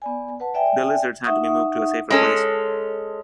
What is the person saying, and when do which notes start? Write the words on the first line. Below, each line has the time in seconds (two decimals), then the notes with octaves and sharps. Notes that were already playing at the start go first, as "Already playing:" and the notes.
The lizards had to be moved to a safer place.
0.02 B3 D5 G#5
0.40 B4 F#5 A5
0.54 D5 E5 G5 G#5
1.24 D#4 E5 F#5 C#6 D#6
2.10 G#3 C#4 A4